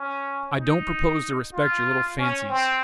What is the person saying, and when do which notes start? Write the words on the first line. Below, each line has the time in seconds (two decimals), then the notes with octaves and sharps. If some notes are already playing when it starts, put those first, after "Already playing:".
I don't propose to respect your little fancies.
Already playing: C#4
0.56 D#4
1.53 F4
2.18 C#4
2.49 C4